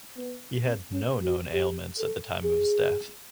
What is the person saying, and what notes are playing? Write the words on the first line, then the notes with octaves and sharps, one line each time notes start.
He had no known ailments at the time of his death.
B3
C4
C#4
F#4
G4
A4
G#4